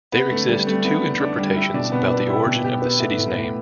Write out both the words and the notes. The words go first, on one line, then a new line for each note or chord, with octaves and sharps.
There exist two interpretations about the origin of the city's name.
B3 E4
D3 A3
D3 G3
G3 A3
B3 E4
D3
D3 D4
G3
E4 G4
B2 D4
B2 B3
B3 D4
E4 G4
B2
B2 G4
B3
A3
A2
A2